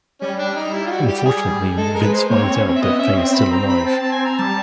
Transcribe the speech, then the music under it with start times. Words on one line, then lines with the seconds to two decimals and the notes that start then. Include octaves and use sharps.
Unfortunately, Vince finds out that Fay is still alive.
0.21 G3 C#4
0.39 D4
0.56 D#4
0.73 E4
0.86 F4
0.90 F#4
1.08 G4
1.18 G4
1.26 G#4
1.77 G#3 A4
1.95 A#4
2.04 B4
2.13 C5
2.29 A#3 C#5
2.43 C4
2.56 C#4
2.69 C4
2.76 E5
2.82 B3 D#5
2.99 C#4 E5
3.17 C4
3.34 B5
3.52 A#5
3.69 B5
3.86 A5
3.99 A5
4.12 G#5
4.25 A#5
4.39 G3 A5